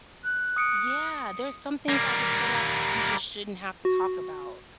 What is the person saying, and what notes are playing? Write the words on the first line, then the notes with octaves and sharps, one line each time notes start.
Yeah, there's some things I just feel, like, you just shouldn't have to talk about,
F#6
D#6 C#7 D7
G3 A#3
F#4